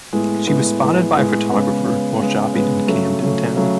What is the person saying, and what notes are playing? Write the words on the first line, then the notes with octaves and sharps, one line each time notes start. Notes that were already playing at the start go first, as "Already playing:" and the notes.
She was spotted by a photographer while shopping in Camden Town.
A2 G#3 B3
A2 G#3 B3
A2 G#3 B3
A2 G#3 B3
C#3 G#3 B3
C#3 G#3 B3
C#3 G#3 B3
C#3 G#3 B3
C#3 F#3 A3
C#3 F#3 A3
C#3 F#3 A3